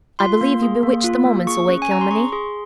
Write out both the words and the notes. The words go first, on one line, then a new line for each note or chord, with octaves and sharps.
I believe you bewitch the moments away, Kilmeny.
F4 C6
A#3
G#4
A#3
F4
A#3
G#4 C#6
C#4
G#5
C#4 A#5
C6
G#4 C#6
G#4 C6